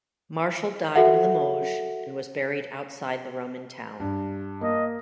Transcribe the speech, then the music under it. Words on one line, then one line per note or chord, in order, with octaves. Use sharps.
Martial died in Limoges and was buried outside the Roman town.
F#4 A4 E5 F#5
G2
A#3 D#5